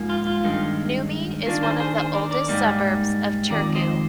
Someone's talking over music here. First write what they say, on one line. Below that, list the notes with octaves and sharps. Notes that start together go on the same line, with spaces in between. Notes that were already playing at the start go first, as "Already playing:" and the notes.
Nummi is one of the oldest suburbs of Turku.
Already playing: G#2 F3 A#3
F4
F4
G2 D#3 G#3
D#3 A#3 D4 F4
G#4 C5
G#4 C5
G#4 C5
A#4 D5
A#4 D5
G#2 G3 A#3 D#4
F2 D#3 G#3 A#4 D5
C5 D#5